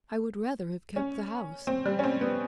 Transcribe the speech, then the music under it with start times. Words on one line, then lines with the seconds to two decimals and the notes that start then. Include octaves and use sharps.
I would rather have kept the house.
0.96 C#4
1.67 C4
1.85 G3
1.99 C#4
2.04 C4
2.21 B3